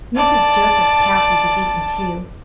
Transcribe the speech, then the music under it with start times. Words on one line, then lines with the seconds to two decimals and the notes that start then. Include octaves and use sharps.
Mrs. Joseph's taffy was eaten too.
0.16 D5 A5